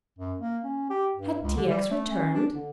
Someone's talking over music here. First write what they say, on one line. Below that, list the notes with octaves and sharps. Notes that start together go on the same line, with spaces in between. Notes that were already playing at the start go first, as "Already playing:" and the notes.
Had T. X. returned!
F#2
A#3
C#4
G4
G2
C#2
D3
G3
A3
C#4
D4
D3